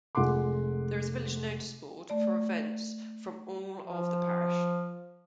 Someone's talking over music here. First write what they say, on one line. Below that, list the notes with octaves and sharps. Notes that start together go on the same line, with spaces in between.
There is a village notice board for events from all of the Parish.
F1 G#3 F#5 C6 D6
A3 D5
F3